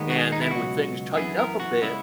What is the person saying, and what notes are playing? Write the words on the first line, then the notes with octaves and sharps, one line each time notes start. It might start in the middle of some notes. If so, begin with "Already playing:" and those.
and then when things tighten up a bit,
Already playing: D#2 D#3 G#3 B3
F#4
G#4
D#4
E4
C#2 B2 F#3 F#4
F#2 E3 B3 G#4
A#4
F#4
C#3 G#3 B3 E4